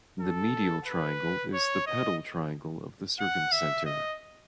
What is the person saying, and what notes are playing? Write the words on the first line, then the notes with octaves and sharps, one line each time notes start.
The medial triangle is the pedal triangle of the circumcenter.
A4
B4
C#5
D#5
F#5
E5
D#5